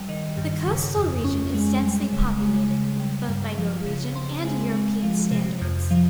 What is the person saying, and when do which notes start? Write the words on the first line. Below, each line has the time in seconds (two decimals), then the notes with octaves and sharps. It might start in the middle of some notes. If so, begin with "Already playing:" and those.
The coastal region is densely populated both by Norwegian and European standards.
Already playing: G3
0.09 D#3
0.37 G2
0.66 C#3
0.96 F2
1.24 C#4
1.54 G#3
1.82 G3
2.13 C#3
2.42 G#3
2.70 C#3
3.00 G3
3.29 G2
3.57 F3
3.86 C#3
4.15 C4
4.44 G#3
4.73 G#3
5.03 F3
5.31 C3
5.61 F2
5.91 F3